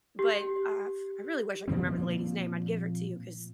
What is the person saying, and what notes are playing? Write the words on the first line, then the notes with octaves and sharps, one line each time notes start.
but, uh, f I really wish I could remember the lady's name, I'd give her to you 'cause
G4
A#2 F3 G3 C4